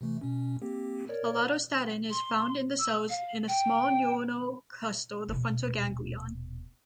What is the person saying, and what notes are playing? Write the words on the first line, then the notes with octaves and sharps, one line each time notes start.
Allatostatin is found in the cells in a small neuronal cluster, the frontal ganglion.
C3 E3 A3
B2 C#4
A#3 C4 G4
A#4 C#5 D5
C6
E6
F5
G5
D#1 B2